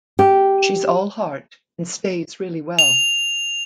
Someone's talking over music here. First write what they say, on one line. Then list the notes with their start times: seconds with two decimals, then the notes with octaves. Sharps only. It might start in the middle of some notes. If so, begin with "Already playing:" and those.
She’s all heart and stays really well.
0.19 G4
2.79 F7